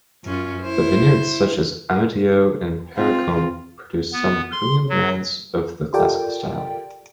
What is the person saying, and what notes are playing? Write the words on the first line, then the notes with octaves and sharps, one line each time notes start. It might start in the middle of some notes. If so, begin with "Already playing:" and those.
Vineyards such as Amadio and Paracombe produce some premium blends of the classical style.
F#2 C#4 F4
E4 C5
C4 F4
B3
C6
F#3
F4 G4 A4 A#4 D5 G5